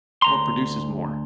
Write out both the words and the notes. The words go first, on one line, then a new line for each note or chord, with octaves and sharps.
what produces more?
D2 A#5 C6